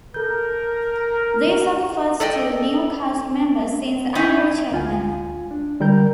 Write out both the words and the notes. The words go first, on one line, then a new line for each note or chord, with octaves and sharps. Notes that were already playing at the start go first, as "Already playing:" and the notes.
These are the first two new cast members since Andrew Chapman.
A4 A#4 G6
A4 D5 D#5 G5
D#4 E4
D2 F4 G#5
D4
D3 G3 A#4 A#5 G6